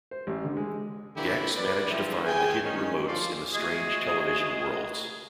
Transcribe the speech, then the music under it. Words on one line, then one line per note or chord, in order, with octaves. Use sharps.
Gex managed to find the hidden remotes in the strange, television worlds.
C5
A1
D3
G#3
A#2 D3 E3 F#3 E4 G4
B4 D5
D3 E3 F3 G3 E5
G#4 G5 G#5
D#3 C#4
F3 F4 A4 D5 F5 C6
G#3 A3 F#4 G#4